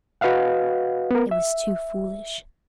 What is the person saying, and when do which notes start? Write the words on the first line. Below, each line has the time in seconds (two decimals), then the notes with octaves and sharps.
It was too foolish.
0.21 F#4 B4 D#5 F5 F#5
1.11 B3 A#4
1.31 E5